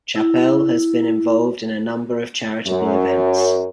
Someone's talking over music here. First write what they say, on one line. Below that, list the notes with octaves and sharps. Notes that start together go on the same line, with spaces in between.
Chappelle has been involved in a number of charitable events.
E4
F#2